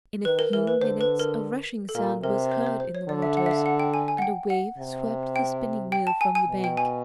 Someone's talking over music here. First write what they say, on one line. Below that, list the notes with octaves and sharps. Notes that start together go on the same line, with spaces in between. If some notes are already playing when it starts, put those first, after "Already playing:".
In a few minutes a rushing sound was heard in the waters, and a wave swept the spinning-wheel from the bank.
D#3 B4
A#4
E3 A#4
B4
D3 C5
B4
A#4
A4
A#2 A#4
C3 A#4
C5
C5
C5
C#5
D3 D5
E5
F#5
E5
F5
F#5
G5
G#5
G#5
F#5
G5
F#5
C3
G5
G5
A5
G#5
G#5
B2
G5
G#5